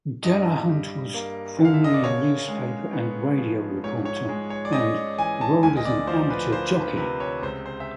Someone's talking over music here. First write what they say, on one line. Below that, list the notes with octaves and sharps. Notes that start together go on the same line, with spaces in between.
Delahunt was formerly a newspaper and radio reporter and rode as an amateur jockey.
G2 D#5
G3
A#3
D3
F5
E5
D#5
D5
C#3 C#5
G#3
B3
F3
G#2 C#5
C#5
G#3
C#5
D5
C#4 D#5
E3 G#5
A5
D2 G#5
D#5
D5
F3 C5
B4
A#3 C5
B4
C3 B4
C#5
C#2 C5
C5
E5